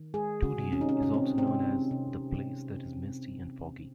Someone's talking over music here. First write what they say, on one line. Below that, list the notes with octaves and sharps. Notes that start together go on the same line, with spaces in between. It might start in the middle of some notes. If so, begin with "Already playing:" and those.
Toodyay is also known as "the place that is misty and foggy".
Already playing: D#3
G#3 G#4
F#4
C3
C#4
D#4
C#4
C3 C#4
C4
C4
C3
C3
C3